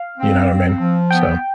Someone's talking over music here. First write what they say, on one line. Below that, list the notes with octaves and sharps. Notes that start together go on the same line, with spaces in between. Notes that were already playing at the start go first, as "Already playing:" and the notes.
You know what I mean? So
Already playing: F5
C4
C4
F3
B3 G5